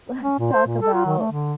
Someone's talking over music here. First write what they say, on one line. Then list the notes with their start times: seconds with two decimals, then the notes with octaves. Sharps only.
let's talk about
0.22 C#4
0.39 A#2
0.52 C5
0.66 A#2
0.81 A4
0.94 F4
1.06 D#3
1.18 A3
1.32 D3